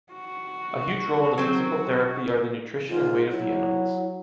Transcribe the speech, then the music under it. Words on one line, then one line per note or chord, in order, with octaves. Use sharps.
A huge role in the physical therapy are the nutrition and weight of the animals.
F#4
F#3 C4
G#2 F4
F#3 E4